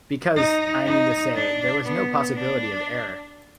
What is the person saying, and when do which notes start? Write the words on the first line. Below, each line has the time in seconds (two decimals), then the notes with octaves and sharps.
Because, I mean to say, there was no possibility of error.
0.36 D#4
0.86 D#4
1.35 D4
1.85 B3
2.34 D4